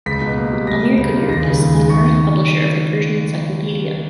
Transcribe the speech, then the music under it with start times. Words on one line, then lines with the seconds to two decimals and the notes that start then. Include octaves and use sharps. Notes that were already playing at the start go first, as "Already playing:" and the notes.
Amirkabir is the current publisher of The Persian Encyclopedia.
0.06 C#2 B6
0.21 B2
0.36 A#3
0.52 G3
0.67 C#2 A#6
0.83 B2
0.97 C#2
1.13 A#3
1.28 D#2 A#6
1.43 C#3
1.59 D#2
1.74 G#3
1.90 D#2 C#6